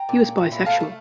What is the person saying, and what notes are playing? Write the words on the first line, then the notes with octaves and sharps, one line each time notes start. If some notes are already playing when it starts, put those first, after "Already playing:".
He was bisexual.
Already playing: G5 A#5
A#2
A#2
A#2
E4
A3 F5 A5
A3